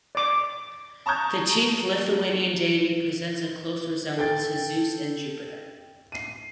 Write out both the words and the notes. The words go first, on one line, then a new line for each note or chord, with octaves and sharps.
The chief Lithuanian deity presents a close resemblance to Zeus and Jupiter.
D5 D6
A5 A#5 C#6 D#6 G6 G#6
A4 G5 A6
C7 D#7